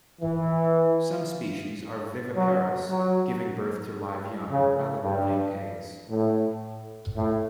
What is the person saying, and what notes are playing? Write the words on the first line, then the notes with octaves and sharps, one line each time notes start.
Some species are viviparous, giving birth to live young, rather than laying eggs.
E3
F#3
F#3
C#3
G2
A2
A2